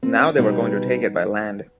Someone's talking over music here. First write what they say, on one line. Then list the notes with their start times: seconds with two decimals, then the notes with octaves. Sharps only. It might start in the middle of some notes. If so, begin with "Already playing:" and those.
Now they were going to take it by land.
0.03 C4
0.15 C#4
0.26 D4
0.38 B2 G3 B3 D#4